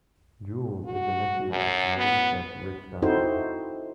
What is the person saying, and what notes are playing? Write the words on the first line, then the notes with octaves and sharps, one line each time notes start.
Jules is the nephew of celebrity chef Rick Stein.
F#4
F#2
B3
C4 D#4 E4 F#4 A4 C5